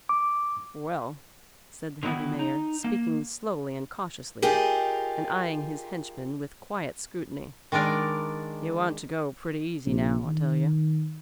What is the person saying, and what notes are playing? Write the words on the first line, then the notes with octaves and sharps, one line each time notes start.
"Well," said the heavy mayor, speaking slowly and cautiously and eyeing his henchman with quiet scrutiny, "you want to go pretty easy now, I tell you."
D6
D3 D#3 F#3 B3 E4
D#4
A#3
D#4 F4 G4 G#4 A#4
D#3 G#3 D4 A#4 D5
A#1
D#3